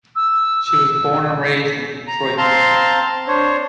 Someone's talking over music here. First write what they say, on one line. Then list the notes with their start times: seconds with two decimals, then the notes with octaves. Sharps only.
She was born and raised in Detroit, Michigan.
0.16 E6
2.08 A#5
2.38 C4 F5 A5 A#5 C6
3.28 D4 C5 C#5